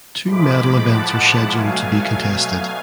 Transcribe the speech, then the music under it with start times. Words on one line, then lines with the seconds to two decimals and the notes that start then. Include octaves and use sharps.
Two medal events are scheduled to be contested.
0.24 A2 F3 G#3 B5 D6
0.86 F#5 A5
1.49 B2 F#3 A3 F5 G#5
2.11 F5 G#5